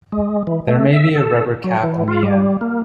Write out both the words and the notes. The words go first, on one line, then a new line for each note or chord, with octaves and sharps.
There may be a rubber cap on the end.
G#3
E3
A3
E5
A4
F#3
E3
F4
G3
A#3